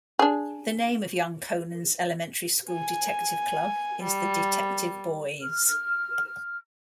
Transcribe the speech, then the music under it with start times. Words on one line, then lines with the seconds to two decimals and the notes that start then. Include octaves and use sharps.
The name of young Conan's elementary school detective club is the "Detective Boys".
0.19 D4 G#4
2.72 G#5
4.02 G3
5.41 F6